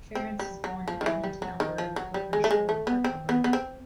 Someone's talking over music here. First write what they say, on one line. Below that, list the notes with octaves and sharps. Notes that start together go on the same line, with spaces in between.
Ference was born in Edmonton, Alberta, but grew up in Sherwood Park, Alberta.
C4
G3
F#3
F3
D#3
E3
G3
F#3
D#3
F3
F#3
G3
G#3
A3
G#3
A3
B3
C4
B3
B3
C4